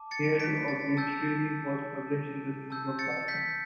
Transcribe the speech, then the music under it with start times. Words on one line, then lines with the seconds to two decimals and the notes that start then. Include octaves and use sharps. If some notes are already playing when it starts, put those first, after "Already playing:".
Her obituary was published in the New York Times.
Already playing: A5 D6
0.11 A6 C#7
0.40 B6 D7
0.68 A6
0.97 A5 E6 G6 A6
2.70 A5 E6 G6
2.99 A6 C#7
3.28 G6 B6